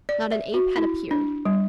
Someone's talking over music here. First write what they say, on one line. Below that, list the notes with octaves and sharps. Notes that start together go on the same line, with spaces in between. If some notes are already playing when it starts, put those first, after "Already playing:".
Not an ape had appeared.
D5
E5
F#4
E4
D4
G3